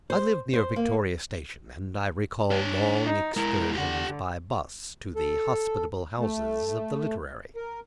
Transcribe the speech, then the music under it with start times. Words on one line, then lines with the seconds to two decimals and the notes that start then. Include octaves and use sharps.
I lived near Victoria Station, and I recall long excursions by bus to the hospitable houses of the literary.
0.10 C5
0.53 C5
0.76 A#3
2.51 D4 C#5
3.05 D#4
3.37 G#3 E4 A#4
3.75 D3 G4 F#5
5.16 A4
6.19 A3
7.56 A#4